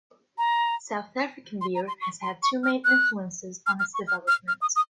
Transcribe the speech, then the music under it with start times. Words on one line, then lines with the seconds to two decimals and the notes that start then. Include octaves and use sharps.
South African beer has had two main influences on its development.
0.38 A#5
1.61 C6
1.75 A#5
1.88 C6
2.02 C#6
2.23 C6
2.43 C#6
2.63 F6
2.85 F#6
3.67 F6
3.80 F6
3.94 C#6
4.08 F6
4.28 F6
4.48 F6
4.62 D#6
4.76 D#6